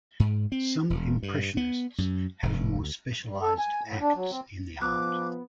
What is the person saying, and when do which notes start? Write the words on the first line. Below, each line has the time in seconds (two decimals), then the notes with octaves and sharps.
Some impressionists have more specialized acts in the art.
0.20 G#2
0.52 C4
0.90 E1
1.23 G2
1.57 B3
1.98 F#2
2.43 F1
2.76 D2
3.28 G3
3.42 A4
3.59 G#5
3.83 A2
4.01 D4
4.15 F#3
4.31 C4
4.82 F3 B3 D6 F#6